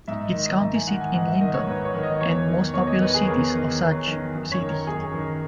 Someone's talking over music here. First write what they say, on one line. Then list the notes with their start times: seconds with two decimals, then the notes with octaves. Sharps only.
Its county seat is Lyndon, and its most populous city is Osage City.
0.08 G#2 E5
0.25 D#5
0.34 D#3
0.43 D#5
0.61 G#2 E5
0.74 G#5
0.87 D#3 F#5
1.01 G#5
1.14 G#2 F#5
1.28 E5
1.41 D#3 D#5
1.54 C#5
1.67 G#2 B4
1.85 C#5
1.94 D#3
2.03 D#5
2.21 E2 C#5
2.47 D#3
2.74 E2 C#5
2.87 D#5
3.01 D#3 B4
3.14 G#4
3.27 E2 A#4
3.54 D#3
3.81 E2
4.07 D#3
4.34 F#2
4.52 C#5
4.60 D#3
4.69 A#4
4.87 F#2 G#4
5.14 D#3 A#4